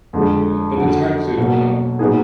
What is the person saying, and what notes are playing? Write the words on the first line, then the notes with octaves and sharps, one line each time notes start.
you know, but it's hard to, um,
F2 D3 G#3
F2 D3 F#3
B2 F#3 A#3
A#2 F#3 B3 D#4 G#4